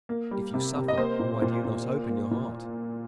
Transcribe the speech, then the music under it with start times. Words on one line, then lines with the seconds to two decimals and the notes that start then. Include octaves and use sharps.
If you suffer, why do you not open your heart?
0.09 A#3
0.31 G3
0.54 C3
0.76 C3
0.88 D#5
0.98 A#3 C5
1.19 A#2
1.42 A#2
1.65 A#2
1.87 A#3
2.08 A#3
2.31 A#2